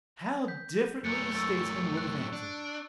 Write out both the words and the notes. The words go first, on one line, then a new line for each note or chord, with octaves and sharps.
How differently a statesman would have answered!
G6 B6
F#2 A3 F#6 A6 C#7
C#6 E6 A6
F#6
D4